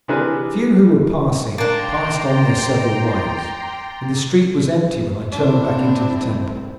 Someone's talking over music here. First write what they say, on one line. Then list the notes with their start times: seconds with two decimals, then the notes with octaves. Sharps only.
The few who were passing passed on their several ways, and the street was empty when I turned back into the Temple.
0.08 C3 E3 D4 G#4 A#4 B4
1.58 A#3 D4 G5 A#5 C6 D6 A6 D7
5.33 C4 D4 E4